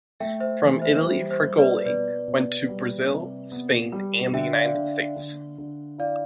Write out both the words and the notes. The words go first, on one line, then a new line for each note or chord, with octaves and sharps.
From Italy Fregoli went to Brazil, Spain, and the United States.
A3 E5 G5
C5 E5
E3
C5 E5
G3 C5
C5
G3
B4 D5
B2 B4 D5
B2
G3
C3
B3
G3
D3 E5 G5
D5 F5
D3
D3
D3
E4 D5 F5